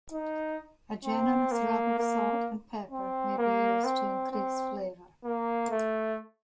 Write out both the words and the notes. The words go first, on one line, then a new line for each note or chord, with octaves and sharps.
A generous rub of salt and pepper may be used to increase flavor.
D#4
C4
A#3
A#3
C4
A#3
C4
C4
A#3
A3